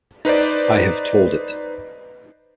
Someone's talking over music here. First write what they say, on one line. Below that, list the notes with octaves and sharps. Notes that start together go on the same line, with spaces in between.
I have told it.
D#4 B4 C5 D5